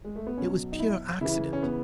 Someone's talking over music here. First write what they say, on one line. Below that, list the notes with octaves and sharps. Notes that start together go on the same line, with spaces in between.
It was pure accident.
G#3
A3
B3
B2 F#3 C#4
D#4
E4
C#3 E3 E4
C#4
B3